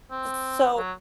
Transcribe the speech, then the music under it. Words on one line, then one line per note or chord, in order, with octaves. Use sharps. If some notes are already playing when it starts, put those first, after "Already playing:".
S so
C4
F#3